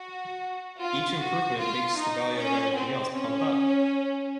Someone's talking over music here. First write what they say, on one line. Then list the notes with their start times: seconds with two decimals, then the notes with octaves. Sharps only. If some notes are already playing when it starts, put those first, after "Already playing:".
Each improvement makes the value of everything else pump up.
Already playing: F#4
0.80 F4
1.20 F#4
1.59 F4
1.98 D#4
2.37 C#4
2.75 C4
3.15 C#4